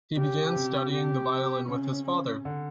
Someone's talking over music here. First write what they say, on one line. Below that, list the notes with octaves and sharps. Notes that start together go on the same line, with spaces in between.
He began studying the violin with his father.
C#3 G4
C3
G4
C#3 C#4
D3